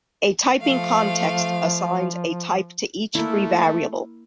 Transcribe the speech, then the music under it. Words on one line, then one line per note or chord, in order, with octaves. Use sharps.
A "typing context" assigns a type to each free variable.
F3 A3 F5
A3 A#3 E4